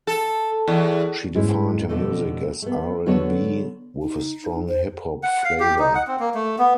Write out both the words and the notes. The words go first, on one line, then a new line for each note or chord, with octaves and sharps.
She defined her music as "R and B with a strong hip hop flava".
A4
E2
G#2 G#3 C#4 E4
F2 B2 D3 A3
A3 B3
D3 F#3 B3 F#4 A4 C#5
D#4
C5
F#5
F5
G4
D#4
F#5
C4
A#3
A3
B3